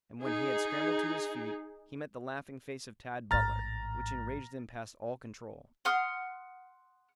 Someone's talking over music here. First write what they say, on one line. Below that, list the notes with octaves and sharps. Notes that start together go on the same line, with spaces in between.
And when he had scrambled to his feet, he met the laughing face of Tad Butler, which enraged him past all control.
D#4 G#4
A1 G#2 A#5 F6 A6
F#5 C6 D#6 F6